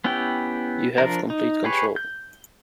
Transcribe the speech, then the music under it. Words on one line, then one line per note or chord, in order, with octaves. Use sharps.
You have complete control.
B3 C#4 E4 G4 G5
F3 D4 A#4
D#4
G4 G#4 B4 C#5
G6